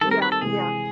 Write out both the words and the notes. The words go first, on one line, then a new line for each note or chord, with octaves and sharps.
Yeah, yeah.
D#3 G3 C4 A4
A#4
B4
A4
C3 E3 G#3 G#4